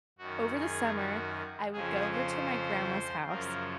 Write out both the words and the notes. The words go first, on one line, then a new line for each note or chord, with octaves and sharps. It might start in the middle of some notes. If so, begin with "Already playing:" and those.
over the summer I would go over to my grandma's house
F#2 D#3 F#4
G#4
F#4
F2 C#3 F3 G#4
C5
F#2 C#3 F3 A#4